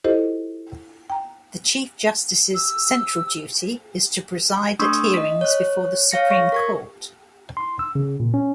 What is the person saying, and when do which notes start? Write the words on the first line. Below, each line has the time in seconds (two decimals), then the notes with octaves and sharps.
The Chief Justice's central duty is to preside at hearings before the Supreme Court.
0.04 E4 F4 G4 A4 C5 D#5
1.10 G5 A#5
2.55 E6
4.79 A3 D4 C6 C#6 D#6 E6
5.14 D#5 B6
5.41 C#5 F#6
6.11 C#5 F5 A#6 C#7
6.30 C#6 A#6
6.52 A#4 C#6 G#6
7.57 C6
7.79 E6
7.95 C#3
8.20 A#2
8.34 C#4